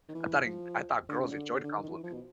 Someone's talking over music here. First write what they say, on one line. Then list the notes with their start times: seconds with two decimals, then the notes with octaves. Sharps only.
I thought in I thought girls enjoyed compliments.
0.09 D#3
0.15 E3
0.46 F3
1.09 D3
1.19 C#3
1.31 D3
1.63 D3
1.72 D#3
1.83 D#3
1.88 E3
2.03 F3
2.13 B2